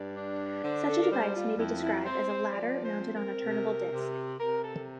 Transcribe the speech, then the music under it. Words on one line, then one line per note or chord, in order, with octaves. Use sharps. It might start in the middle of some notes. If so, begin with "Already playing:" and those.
Such a device may be described as a ladder mounted on a turnable disk.
Already playing: G2 D5
D4
D3 C5
A4
A#4
G3 C5
F4
F2 E4
E4
C4 C5
C5
F3 D5
C5
C4
A#4
C3
C3
C3 A#4
A4